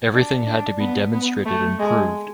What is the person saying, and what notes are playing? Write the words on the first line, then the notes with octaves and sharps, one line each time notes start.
Everything had to be demonstrated and proved.
D4
D4
B3
B3
A3
G#3